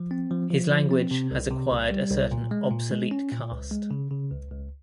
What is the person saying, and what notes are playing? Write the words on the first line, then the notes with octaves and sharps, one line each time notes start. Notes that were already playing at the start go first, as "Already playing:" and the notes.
His language has acquired a certain obsolete cast.
Already playing: F3
C4
F3
F3
F3
C4
C3
C2
C3
C2
G3
C2
A#2
G#3
A#2
G#3
C#4
A#2
C#2
G#3
C#3
C#3
C#2
C#2